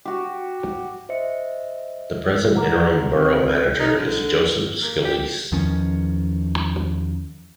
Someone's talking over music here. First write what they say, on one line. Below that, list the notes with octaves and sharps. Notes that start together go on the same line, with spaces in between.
The present interim Borough manager is Joseph Scalise.
F#4 G4
C5 D#5 E5 C#7
F#5 A#5 D6 F6
C4 B4
D#4
D3
A#3
G4
E2 D#3 F3 C#4